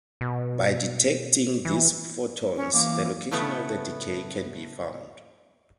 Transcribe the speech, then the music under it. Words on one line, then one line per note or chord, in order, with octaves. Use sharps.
By detecting these photons the location of the decay can be found.
B2
E3
C#4
E3 A#3 D6
A2 C#3 A3 B3